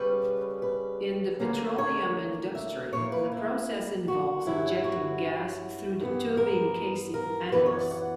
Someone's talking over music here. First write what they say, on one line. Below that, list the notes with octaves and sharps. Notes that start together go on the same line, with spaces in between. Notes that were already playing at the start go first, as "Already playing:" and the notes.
In the petroleum industry, the process involves injecting gas through the tubing-casing annulus.
Already playing: C#3 G3 C#4 B4
B4
D2 D3 A#3 C#4
C#5
E5
A#2 A#3 E4 C#5
B4
E4
F#4
G2 F#3 C#4 E4
F#4
G2 E3 B3
A#4
A#4
F#2 E3 B3 B4
C#5
D5
F#5